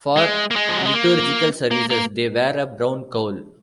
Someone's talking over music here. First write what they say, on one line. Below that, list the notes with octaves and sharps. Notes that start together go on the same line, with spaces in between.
For liturgical services, they wear a brown cowl.
G#3
A#3
G#3
F3
F#3
G#3
A#3
A#3
A#3